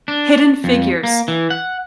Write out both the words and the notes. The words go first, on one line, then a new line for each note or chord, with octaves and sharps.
Hidden Figures.
D4
F2
A#3
E3
F#5